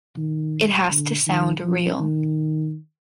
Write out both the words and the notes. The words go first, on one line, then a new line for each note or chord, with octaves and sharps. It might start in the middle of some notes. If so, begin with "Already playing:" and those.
It has to sound real.
D#3
D3
D#3
F3
D#3